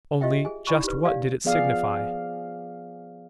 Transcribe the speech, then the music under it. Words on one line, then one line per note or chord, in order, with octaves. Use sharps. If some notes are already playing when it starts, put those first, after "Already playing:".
Only--just what did it signify?
F4 G4 D#5 E5 G5
G#4 G#5
D#4 E4 D5 G#5 B5 C#6
G4 B4
G4 C#5 D5 F5 G#5
F3 B3 G#4 D5 F5